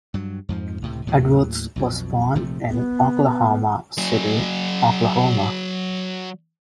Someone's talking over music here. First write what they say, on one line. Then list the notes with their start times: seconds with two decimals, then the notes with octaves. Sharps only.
Edwards was born in Oklahoma City, Oklahoma.
0.14 G2 F#3
0.49 F2 G#2 F3
0.82 C#2 A2 C3
1.06 D#2 A2 F#3
1.76 B1 F2 B2
2.35 A#1 C3 F3 A3
2.69 B3
3.98 F#3 G#4